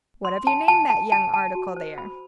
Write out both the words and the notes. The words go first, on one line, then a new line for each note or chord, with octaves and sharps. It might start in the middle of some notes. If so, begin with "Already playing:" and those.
"What have you named that young article there?"
C6
A5
A5
A5
A5
A5
F#4
C5
B5